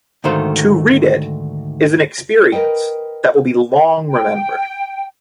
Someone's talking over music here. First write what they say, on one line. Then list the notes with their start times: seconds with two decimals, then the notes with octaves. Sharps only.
To read it is an experience that will be long remembered.
0.24 D2 G#2 D#3 A3 C5 F5
2.52 A#4 B4 D#5 G5
4.08 G5